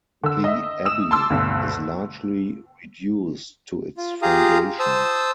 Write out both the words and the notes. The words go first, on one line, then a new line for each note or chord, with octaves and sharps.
The abbey is largely reduced to its foundations.
D3 E6
D#5 E5
D#6 E6 E7
A5 C6 D6 E6
D2 G2 B2
F4
F4 G4 G#4 F5 A#5 D#6
C5 A5 D#6 E6